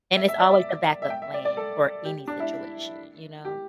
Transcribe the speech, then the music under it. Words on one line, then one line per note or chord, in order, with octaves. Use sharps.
And it's always a backup plan for any situation, you know?
E5
E5
D5
E5
E5
G5
E5
D5
D5
A4
G4
D4
E4
G4